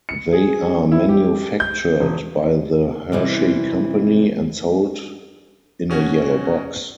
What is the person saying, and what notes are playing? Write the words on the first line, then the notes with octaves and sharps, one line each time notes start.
They are manufactured by The Hershey Company, and sold in a yellow box.
C#7
G#4
E4
G4
G6
E1
C3 E3 G3
B2 C#4 F#4